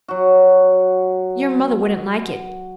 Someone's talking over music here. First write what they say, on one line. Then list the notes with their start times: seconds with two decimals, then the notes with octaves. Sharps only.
"Your mother wouldn't like it."
0.08 F#3 F#4